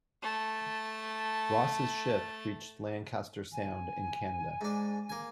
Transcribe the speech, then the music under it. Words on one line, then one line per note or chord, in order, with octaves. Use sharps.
Ross's ship reached Lancaster Sound in Canada.
A3 A5
G#5
G#2 D4
A#3 G#5